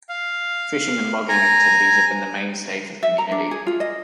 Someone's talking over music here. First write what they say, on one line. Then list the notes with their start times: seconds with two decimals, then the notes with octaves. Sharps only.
Fishing and logging activities have been the mainstay for the community.
0.09 F5
1.29 G#5 A#5
3.03 E5
3.18 A#5
3.31 D4
3.51 G#4
3.66 F4
3.80 D#5